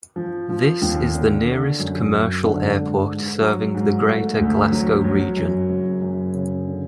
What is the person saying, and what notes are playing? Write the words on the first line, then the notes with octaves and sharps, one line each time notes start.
This is the nearest commercial airport serving the Greater Glasgow region.
F3
F3
D#2
D3
D3
F#2
F#2
D3
G#2
G#2
F#3
G#2
A3
D2
F#3
F#3
F#2
F#1
F#2
C#3
D3